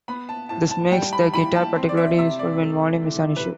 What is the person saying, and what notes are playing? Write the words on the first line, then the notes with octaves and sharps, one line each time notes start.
This makes the guitar particularly useful when volume is an issue.
B3 B5
A5
A2 A5
A5
G3 G5
B5
E3 B5
A5
C4
D5
E5
C3 E5
D5
A3
E3
B4